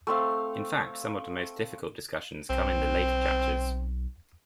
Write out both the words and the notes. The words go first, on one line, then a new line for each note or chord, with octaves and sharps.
In fact some of the most difficult discussions come in the later chapters.
A3 C4 F5
B1 C4